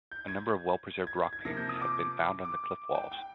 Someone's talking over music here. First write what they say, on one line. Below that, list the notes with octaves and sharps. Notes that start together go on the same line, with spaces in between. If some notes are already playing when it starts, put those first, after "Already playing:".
A number of well-preserved rock-paintings have been found on the cliff walls.
G6
G#6
G#6
G#6
C3 F3 A#3 A#6
G6
D#6
D6
D6
G5
G5